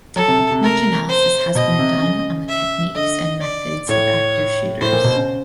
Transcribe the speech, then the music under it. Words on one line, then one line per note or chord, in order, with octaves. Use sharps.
Much analysis has been done on the techniques and methods of active shooters.
F#3 A4
C3
C3
C3
A#4
C5
B2 D#5
C3
C#3
E5
D3 D#5
D5
A2 C#5
A2 C5
A#2
B2
C#3